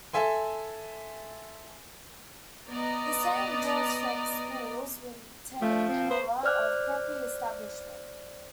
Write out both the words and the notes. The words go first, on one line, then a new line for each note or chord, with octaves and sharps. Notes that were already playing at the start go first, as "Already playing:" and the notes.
The Saint Grottlesex schools retain an aura of preppy establishment.
A4 E5 G#5 C6
B3 D5 D#5 A#5
F3 A3
C4
B3 C5
C5 D5 F6 F#6